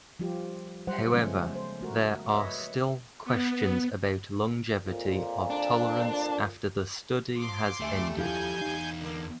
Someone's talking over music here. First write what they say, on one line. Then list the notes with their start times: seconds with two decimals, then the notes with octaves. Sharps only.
However, there are still questions about longevity of tolerance after the study has ended.
0.19 F3 G3 F4 G4
0.87 F#3 G3 C5 F#5
1.12 C#3 F3 G#3 A3 B3 C#4
1.55 C5
1.81 A3 F#4 A#4
2.34 B4 C#5 D#5 E5
3.25 B3
4.85 F2 A#2
5.50 D4
7.35 F3 C6 D6
7.80 D2 G2 G3 A3 A4 E5 G#5
8.17 D#2 F3 E4 A4 F5 G#5 G6
8.61 E2 D#4 F5
9.01 D3 A#3